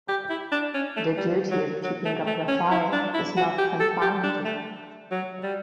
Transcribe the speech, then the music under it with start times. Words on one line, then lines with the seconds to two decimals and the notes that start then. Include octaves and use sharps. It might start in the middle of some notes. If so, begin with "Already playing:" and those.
The duty of keeping up the fire is not confined to them.
0.09 G4
0.30 E4
0.52 D4
0.74 C#4
0.96 A3
1.17 G3
1.51 F#3
1.83 F#3
2.05 A3
2.26 A3
2.48 C#4
2.71 E4
2.93 D4
3.14 E4
3.37 F#4
3.58 G4
3.80 A4
4.01 G4
4.24 D4
4.45 A3
5.11 F#3
5.43 G3